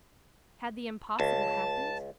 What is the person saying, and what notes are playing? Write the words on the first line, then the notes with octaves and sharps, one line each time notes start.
Had the impossible happened?
C#2 A5